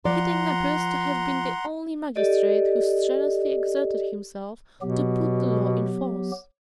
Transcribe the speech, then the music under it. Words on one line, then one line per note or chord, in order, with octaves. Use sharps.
Keating appears to have been the only magistrate who strenuously exerted himself to put the law in force.
F3 D5 F#5 A#5 C6
G4 A4 D5 D#5
B2 F#3 B3 G4